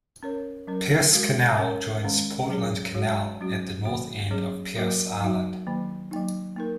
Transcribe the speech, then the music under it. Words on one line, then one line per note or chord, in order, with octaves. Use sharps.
Pearse Canal joins Portland Canal at the north end of Pearse Island.
C#4 A#4 C#5
F#3 C#4 A#4
G#3 F#4 A#4
C#4 A#4 C#5
D#3 G#3 C#4
F#3 C#4 G#4 C#5
G#3 F#4 C#5
F#3 C#4 F#4
D#3 A#3 F#4
F#3 C#4 G#4 C#5
F#3 A#3 F#4 A#4
F#3 D#4 F#4
D#3 F#3 A#3
F#3 A#3 D#4
A#3 D#4 A#4